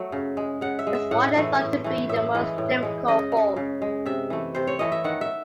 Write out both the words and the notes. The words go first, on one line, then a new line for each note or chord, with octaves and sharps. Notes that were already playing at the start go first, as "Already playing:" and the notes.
That's widely thought to be the most difficult form.
Already playing: F#3 A3
C#3
G#3
C#3 F#5
E5
G#3
E5
A2 F#5
E3 A3
A2
E3 A3
A2 E5
E3 G#3
A2
E3 G#3
C#3 D#5
G#3
C#3
G#3
C3 E5
E3 A3
C3 C5
C#5
E3 A3 D#5
E5
D#3 F#5
E5